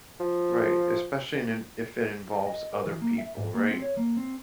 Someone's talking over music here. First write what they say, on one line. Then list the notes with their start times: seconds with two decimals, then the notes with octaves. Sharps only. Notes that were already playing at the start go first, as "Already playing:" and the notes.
Right, especially in if it involves other people, right?
0.20 F3
2.47 D#5
2.73 A#4
2.87 E3
3.02 A#3
3.18 E5
3.37 G#2
3.55 A#3
3.70 C4
3.82 C#5
3.97 A#3
4.17 C4